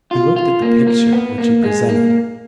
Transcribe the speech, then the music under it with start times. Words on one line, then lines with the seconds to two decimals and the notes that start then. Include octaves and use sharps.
We looked at the picture which he presented.
0.11 F4
0.36 F4
0.62 A#3
0.87 A#3
1.13 B3
1.38 A#3
1.64 G#3
1.89 A#3